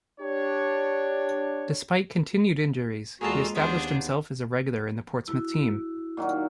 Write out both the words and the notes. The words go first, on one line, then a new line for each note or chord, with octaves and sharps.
Despite continued injuries, he established himself as a regular in the Portsmouth team.
D4 G4 C#5
E2 G#3 A#3 F4 F#4 G#4 A4 A5
D#2 B3 D4 D#4 G#4 C5
E4 F#4
A#2 D#3 F#3